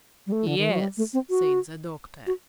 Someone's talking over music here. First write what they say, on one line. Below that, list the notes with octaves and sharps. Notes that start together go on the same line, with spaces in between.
"Yes," said the doctor.
G3
A3
D3
D#3
F#3
G3
A3
C4
F#4
F#4